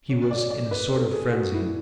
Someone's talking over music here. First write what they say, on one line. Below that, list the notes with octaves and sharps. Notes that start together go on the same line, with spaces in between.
He was in a sort of frenzy.
C#5
D5
D5
B4
A4
G#4
F#4
E4